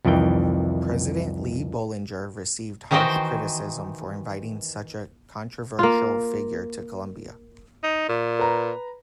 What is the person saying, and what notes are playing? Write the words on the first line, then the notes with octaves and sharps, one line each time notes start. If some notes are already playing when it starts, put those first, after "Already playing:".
President Lee Bollinger received harsh criticism for inviting such a controversial figure to Columbia.
C2 F2 D#3 E3 G5
D#3 E3 D#4 F#4 C5 G5
A#3 F4
D#4
A#2
B4 A#5